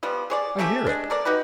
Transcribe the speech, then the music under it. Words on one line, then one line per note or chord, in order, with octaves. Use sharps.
I hear it.
F3 G3 B3
G#4 C#5 D5
A3 C4 C#4 G4
G#3 D4
A4 A#4 D5
D#4 F#4 G4 B4